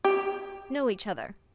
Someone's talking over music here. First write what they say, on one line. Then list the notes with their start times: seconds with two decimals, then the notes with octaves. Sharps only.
Know each other.'
0.05 G4